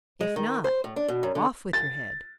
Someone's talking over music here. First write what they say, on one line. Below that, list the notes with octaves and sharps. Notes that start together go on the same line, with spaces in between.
If not, off with your head.'
G#3
D#3
C5
A2
D4
B2
F#2
D3
A6